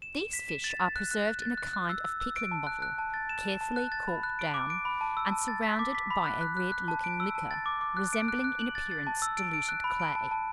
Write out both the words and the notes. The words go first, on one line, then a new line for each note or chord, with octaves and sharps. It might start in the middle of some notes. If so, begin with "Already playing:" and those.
These fish are preserved in a kind of pickling-bottle, carefully corked down, and surrounded by a red-looking liquor, resembling in appearance diluted clay.
E7
E7
B6
E7
A6
A6
F#6
F#6
F#6
A6
F#6
F#6
E6
E6
E6
D7
A5
F#6
F#6
A5
A6
E7
E7
A5
F#6
A6
B5
F#6
D7
D6
D7
B5
A5
E6
A5
A6
B6
D6
B6
B5
F#6
F#6
F#6
F#6
A5
D7
E6
A5
A6
D6
D6
F#6
D7
F#6
F#6
F#7
A6
A6
A5
E6
D7
D7
F#6
B5
D7
A5
A5